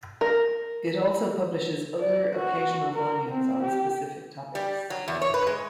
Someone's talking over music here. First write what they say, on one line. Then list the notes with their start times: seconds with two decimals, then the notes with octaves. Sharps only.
It also publishes other occasional volumes on specific topics.
0.21 A#4
2.00 D5
2.34 F#4
2.93 A#4
3.29 C4
3.63 G4
4.55 G3
4.90 F#3
5.08 E2
5.22 C#5
5.34 B4
5.47 G#3